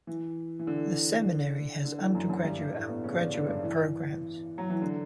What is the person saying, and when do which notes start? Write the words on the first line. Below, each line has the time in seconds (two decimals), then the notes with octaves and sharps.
The seminary has undergraduate and graduate programs.
0.07 E3
0.59 E3
0.67 D3
1.85 D3
2.00 E3
2.15 F#2 F#3
2.29 F#2 F#3
2.44 G2 G3
2.59 G2 G3
2.74 A2 A3
2.89 B2 B3
3.03 C#3 C#4
3.18 D3 D4
3.34 D3 D4
3.49 G2 G3
3.63 E3
4.58 F#3
4.70 E3
4.82 D3